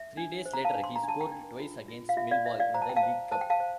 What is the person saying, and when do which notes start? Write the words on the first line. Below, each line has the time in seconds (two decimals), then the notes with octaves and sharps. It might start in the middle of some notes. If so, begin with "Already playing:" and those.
Three days later he scored twice against Millwall in the League Cup.
Already playing: E5
0.17 D4
0.46 C5
0.53 A#5
0.65 F5 A5
0.74 D4
0.84 C6
0.96 A#5
1.03 D4
1.08 A5
1.20 G5 A#5
1.32 D4
1.60 F4
1.88 F4
2.09 F5
2.17 F4 E5
2.31 D5 F5
2.46 C5 E5
2.60 D5 F5
2.74 C5 A#5
2.82 A5
2.89 G5
2.96 F5 A5
3.03 C5
3.31 C5 A5
3.41 G5
3.50 F5 A5
3.60 C5